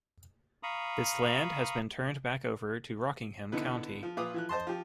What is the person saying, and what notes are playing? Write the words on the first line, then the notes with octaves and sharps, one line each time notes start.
This land has been turned back over to Rockingham County.
F5 A#5 B5 C#6 D#6
D3 B3 D#4 E4 B4
F3
A#2 F4 B4 F5 D6 D#6
E3 F3 F#6
C5 D#5 A5 C6
F3 G4